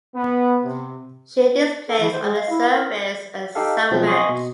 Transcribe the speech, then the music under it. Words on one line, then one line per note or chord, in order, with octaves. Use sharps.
She displaced on the surface and submerged.
B3
C3
A4
E3
C5
G#3
F5
E4
A#4
D#4 G4 A4 F5
B2 F3 F#3 G#3 C4
D#5 G#5 C6 C#6 D#6
B2